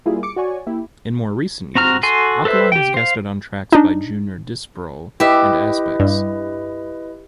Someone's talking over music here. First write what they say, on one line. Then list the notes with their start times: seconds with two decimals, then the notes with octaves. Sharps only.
In more recent years, Alkaline has guested on tracks by Junior Disprol and Aspects.
0.06 G3 A#3 E4 F4 G#4
0.23 D6 C#7
0.36 F#4 C#5 D5 G#5 C#6
0.67 A#3 E4 G4
1.75 C4 F#4 A#5 F6
2.03 F#4 A4 G#5 C6
2.45 A4 B4 C5 E5
2.72 G4 G5
2.94 C5 F5
3.72 D4 D#4
5.20 E4 G4 B4 D#5 E5
6.00 G2